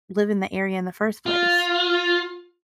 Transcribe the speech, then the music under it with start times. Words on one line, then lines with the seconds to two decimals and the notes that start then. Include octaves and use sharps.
live in the area in the first place?
1.26 F4